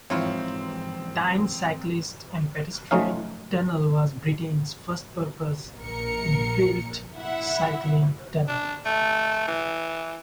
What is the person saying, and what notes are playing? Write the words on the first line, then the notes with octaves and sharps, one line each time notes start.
Tyne Cyclist and Pedestrian Tunnel was Britain's first purpose-built cycling tunnel.
G#2 E3 F3 C4 E4 F4 C#5
F3 F#3 A3 C#4 D#4 F5
A#1 A#4 C#7
E4 E5 F#5
D4
A3
E3